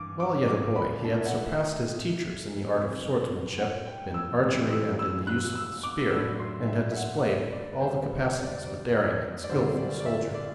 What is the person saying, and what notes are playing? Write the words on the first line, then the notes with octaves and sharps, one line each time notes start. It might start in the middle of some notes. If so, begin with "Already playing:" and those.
While yet a boy he had surpassed his teachers in the art of swordsmanship, in archery, and in the use of the spear, and had displayed all the capacities of a daring and skillful soldier.
Already playing: G2 E3 D6
D6
D6
B5
B2 A3 D4 A5
E5
F#5
E5
E5
C3 F#3 C4
F#5
G5
E6
A2 E3 G3 C4
E6
E6
F#6
E6
D6
A2 F#3 A3 D4 E6
C6
E5
E5
F#5
F#5
E5
D5
B4
E2 D3 G3 C5
B4
C5
D5
D5
D5
F#2 D3 G3 C4 C5
D5
D5
E5
D5